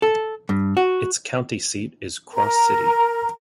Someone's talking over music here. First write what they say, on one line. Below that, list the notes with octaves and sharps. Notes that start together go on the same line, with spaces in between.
Its county seat is Cross City.
A4
G2
F#4
A#4 A#5